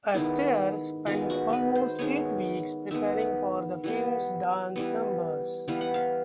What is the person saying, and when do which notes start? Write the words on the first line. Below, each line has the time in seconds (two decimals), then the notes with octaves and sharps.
Astaire spent almost eight weeks preparing for the film's dance numbers.
0.14 D#3 G#3 B3 E4
1.06 D#3 G#3 B3 F4
1.30 F#4
1.53 B4
1.75 C5
1.99 D#3 G#3 B3 C#5
2.91 D#3 G#3 B3 E5
3.84 E3 G3 B3
4.76 E3 G3 B3
5.68 E3 G3 B3 F5
5.81 F#5
5.94 F5